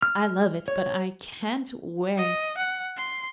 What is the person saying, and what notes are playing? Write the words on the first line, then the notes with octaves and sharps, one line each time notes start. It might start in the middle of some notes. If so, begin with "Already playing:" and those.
I love it, but I can't wear it.
F6
C#5
D#5
F#5
C6